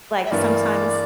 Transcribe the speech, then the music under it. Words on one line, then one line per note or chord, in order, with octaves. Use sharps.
like sometimes
E5
G2 E3 A#3 D5